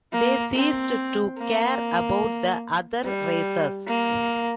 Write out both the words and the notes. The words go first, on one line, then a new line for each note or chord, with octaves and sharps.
They ceased to care about the other races.
A#3
C4
A#3
G3
A#3